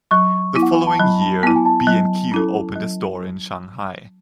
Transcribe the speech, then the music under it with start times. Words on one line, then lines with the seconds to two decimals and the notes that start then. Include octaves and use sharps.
The following year, B and Q opened a store in Shanghai.
0.11 F#3 C#6
0.55 B3 E4
0.62 F#5
0.75 G#5
0.87 A5
1.00 F#3 B5
1.21 A5
1.43 B3 E4 A5
1.56 G#5
1.65 A5
1.87 F#3
2.32 C#4 E4 A4
2.76 F#3